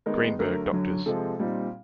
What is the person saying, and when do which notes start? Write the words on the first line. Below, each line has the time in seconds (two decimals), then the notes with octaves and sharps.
Greenberg, Drs.
0.06 D#3 G#3 B3 D#4 A#4
0.39 D3 F#3 A3 A#4
0.72 F#2 D3 F#3
1.06 C3 F3 G#3 A4
1.39 A#2 G3 C4 D#4